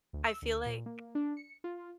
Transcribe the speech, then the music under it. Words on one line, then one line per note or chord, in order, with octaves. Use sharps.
I feel like
D2
E6
D2
A#2
A#3
D4
C#7
F4